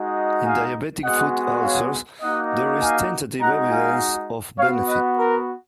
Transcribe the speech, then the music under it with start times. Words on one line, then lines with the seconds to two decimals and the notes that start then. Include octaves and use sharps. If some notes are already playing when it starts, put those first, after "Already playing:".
In diabetic foot ulcers there is tentative evidence of benefit.
Already playing: G#3 D#4 F#4
0.45 F5 G#5
1.03 G#3 B3 F#4 D#5 F#5
1.62 C#5 F5
2.22 A#3 D#4 F#4 D#5 F#5
2.81 F5 G#5
3.40 G#3 D#4 F#4 F#5 A#5
3.69 F5 G#5
4.58 B3 C#5 F5
4.63 F#4
4.88 B4 D#5
5.17 A#4